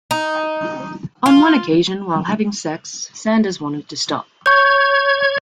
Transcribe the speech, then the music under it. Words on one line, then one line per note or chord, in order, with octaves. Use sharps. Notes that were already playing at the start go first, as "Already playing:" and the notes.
On one occasion, while having sex, Sanders wanted to stop.
D#4
F4
C#5 C#6 G6 G#6